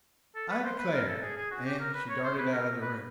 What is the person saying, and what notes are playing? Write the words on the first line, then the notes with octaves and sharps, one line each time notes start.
"I declare!" and she darted out of the room.
A4
B4
C5
B4
A#4
A4
G#4
G#4
F#4
G4
A#4
B4
C#5
C5
B4
A#4
B4